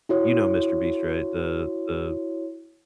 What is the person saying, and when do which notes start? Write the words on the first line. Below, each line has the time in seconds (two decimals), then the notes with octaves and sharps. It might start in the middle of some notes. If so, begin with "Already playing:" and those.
you know MrBeast, right, the the
0.09 E4 F#4 C#5